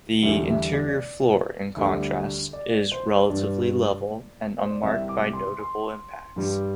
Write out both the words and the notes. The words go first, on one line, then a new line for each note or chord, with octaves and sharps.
The interior floor, in contrast, is relatively level and unmarked by notable impacts.
E2 D3 G3 E5
E5
D5
D2 D3 G3
D5
C5
G2 G3 D5
C5
D5
C2 C3 G3 E5
D6
C6
C6
G2 G3